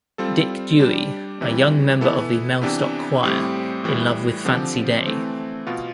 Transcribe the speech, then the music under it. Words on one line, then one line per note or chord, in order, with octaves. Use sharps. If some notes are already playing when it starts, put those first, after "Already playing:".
Dick Dewy, a young member of the Mellstock Choir, in love with Fancy Day.
G3 C4 F4 A4
G3 D4 G4
C3 E3 G3
E3 B3 E4 A4
C3 E3 B3 D4 G4
A2 G3 C4 G4
A2 E3 G3
D3 F3 C4 G4
E3 A3 C4
B2 B3 F4